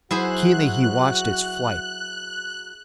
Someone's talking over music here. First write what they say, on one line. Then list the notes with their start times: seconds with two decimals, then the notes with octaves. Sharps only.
Keenly he watched its flight.
0.11 F#3 E4 F#4 G#4 C5 F#6